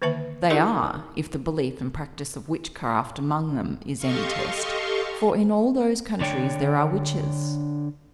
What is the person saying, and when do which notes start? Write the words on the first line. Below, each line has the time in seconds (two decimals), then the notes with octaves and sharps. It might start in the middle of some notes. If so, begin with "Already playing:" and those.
They are, if the belief and practice of witchcraft among them is any test; for in all those countries there are witches.
0.02 D3 D#3 A#3 B4 E5 A5
0.50 D#4 E4 G4 A4 A#4 D5
3.97 G4 A4 D#5 F5 C6 C#6
6.21 D3 D4 C#5 G5